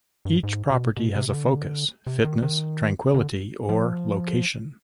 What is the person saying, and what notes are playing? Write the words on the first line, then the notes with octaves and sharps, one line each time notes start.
Each property has a focus: fitness, tranquility, or location.
G2
G#2
B2
B2
C3
C3
D3
C3
D#3
D#3
D3
F3